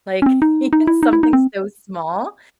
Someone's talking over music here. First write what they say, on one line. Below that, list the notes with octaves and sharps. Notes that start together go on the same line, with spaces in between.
Like, even something so small.
C#4
C4
D#4
D#4
E4
D#4
E4
D#4
C4